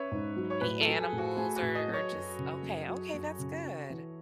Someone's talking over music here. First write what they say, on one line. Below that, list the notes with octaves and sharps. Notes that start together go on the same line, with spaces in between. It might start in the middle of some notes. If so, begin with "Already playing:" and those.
any animals? Or or just Okay, okay, that's good.
Already playing: C#4 B4 C#5 E5
G#2
F#3
C#5
A2 B4
A4
F#3
G#4
A2
F#4
A3 G#4
F#4
A2
D#5
F#3
C#5
F#2
C#3
F#2
F#3
F#2
C#3
F#4
E3